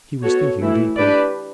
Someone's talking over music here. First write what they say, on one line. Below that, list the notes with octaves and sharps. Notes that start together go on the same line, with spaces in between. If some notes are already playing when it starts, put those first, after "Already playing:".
He was thinking deeply.
B3 F#4 A4 C#5
E3 A3 E4
D4 G4 B4 D5